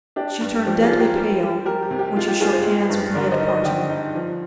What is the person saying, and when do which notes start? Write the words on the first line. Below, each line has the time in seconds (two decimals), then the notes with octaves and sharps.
She turned deadly pale when she shook hands with me at parting.
0.16 D4 G4
0.41 G2
0.66 F3 G4
0.82 F4 G#4
0.92 F3
0.99 G4 A#4
1.16 G3
1.41 G3
1.65 G3 G4 A#4
1.82 G4
1.91 C3
1.99 G4
2.16 G#3 F4
2.28 G4
2.40 G2 F4 G#4
2.53 G#4 C5
2.65 G#3
2.90 G2
3.15 D3 A#4 D5
3.31 C5 D#5
3.40 D#4
3.48 C5 D#5
3.65 D3 D#5 G5
3.89 D#4
4.15 F3